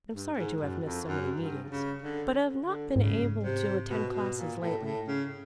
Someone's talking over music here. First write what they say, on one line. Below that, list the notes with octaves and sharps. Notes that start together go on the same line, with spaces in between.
Am sorry to have missed so many meetings, but have not been able to attend classes lately.
G2
G#2
F#2
F2
F#2
G2
C#3
D3
D3
G#2 C#3
C3
B2
B2
A#2
A2
A2
C#3